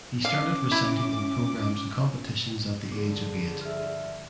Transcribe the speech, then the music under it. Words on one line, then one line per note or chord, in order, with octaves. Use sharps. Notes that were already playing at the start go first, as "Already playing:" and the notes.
He started reciting in programs and competitions at the age of eight.
C#4 F5 D6
E4
G2 D3 F3 G#4 D6
E5 F6